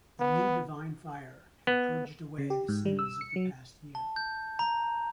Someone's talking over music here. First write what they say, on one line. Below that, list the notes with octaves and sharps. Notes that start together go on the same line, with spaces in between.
The new divine fire had purged away the sins of the past year.
B3
B3
C#3
G4
G#2
G3
E6
C#7
F#3
A5
G6
A#5